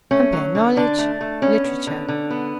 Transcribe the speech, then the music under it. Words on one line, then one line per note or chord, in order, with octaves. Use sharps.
Compare KNOWLEDGE; LITERATURE.
A3 C#4
F#3
D3
D3 D4
A3
A3
B3 C#4
B3
D3
D3
B3